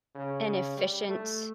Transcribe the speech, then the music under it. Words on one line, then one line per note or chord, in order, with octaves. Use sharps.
an efficient,
C#3
C#3
G3
A3